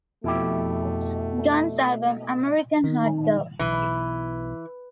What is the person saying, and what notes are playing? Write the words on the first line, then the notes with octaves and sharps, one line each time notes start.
Guns album "American Hardcore".
F2 B2 A3 E4 G4
D#3
B1 E3